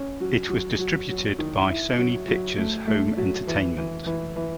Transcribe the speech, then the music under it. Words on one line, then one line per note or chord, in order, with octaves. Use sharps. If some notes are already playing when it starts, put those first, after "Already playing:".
It was distributed by Sony Pictures Home Entertainment.
Already playing: C#4
F#3
F#3
F#3
F#3
D#3
E4
F#3
F#3
A3
A3
F#3
E3
E3
E3
E3